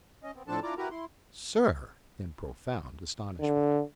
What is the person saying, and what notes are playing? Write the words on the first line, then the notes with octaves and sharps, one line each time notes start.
"Sir!" in profound astonishment.
C#4 D#5
B3 C4
A2 F3 C4 D4 A4 A5
D4 E4 F4 D5 A#5 D6
E4 F#4 G4 A#4 B4 A#5
E4 C6
D3